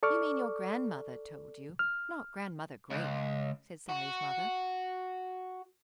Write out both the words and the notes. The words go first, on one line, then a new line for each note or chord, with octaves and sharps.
"You mean your grandmother told you; not Grandmother Great," said Sallie's mother.
A4 D5 C#6 D6 F6
F6
C#2
F#4